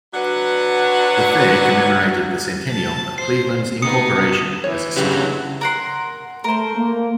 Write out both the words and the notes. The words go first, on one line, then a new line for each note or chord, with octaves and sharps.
The fair commemorated the centennial of Cleveland's incorporation as a city.
F#3 D4 F#4 B4 F#5
A5
C5 C7
B3 D#4 D#6 C#7
E3 C#5
G2 C#3 F#3 G4 B4
A#4 F#5 C6
A3 A#4 C5
A#3